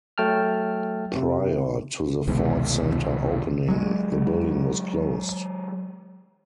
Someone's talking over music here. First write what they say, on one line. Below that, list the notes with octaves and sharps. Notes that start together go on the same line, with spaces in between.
Prior to the Ford center opening, the building was closed.
F#3 A3 G5 A5 F6
C3
C2 B2 D#3 G#3
F#3 G#3